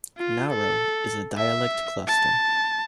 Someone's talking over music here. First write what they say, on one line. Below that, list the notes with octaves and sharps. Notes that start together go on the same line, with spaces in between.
Naro is a dialect cluster.
F4
A4
E5
A5